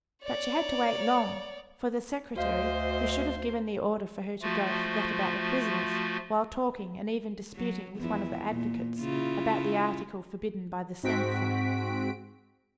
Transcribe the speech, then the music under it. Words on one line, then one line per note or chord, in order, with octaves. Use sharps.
But she had to wait long, for the secretary, who should have given the order for her to go, forgot about the prisoners while talking and even disputing with one of the advocates about the article forbidden by the censor.
C#5 D5
D2 F#4 C5 D#5 F5
F3 A3 F4 F#4
F#3
E2 F3 E4
A#2
C#3 E4 F4
G#2 C4 F#4 B6 D7